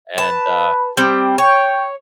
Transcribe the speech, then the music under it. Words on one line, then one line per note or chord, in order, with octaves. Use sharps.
and uh
B4 A5
G3 C4 G4
C#5 G5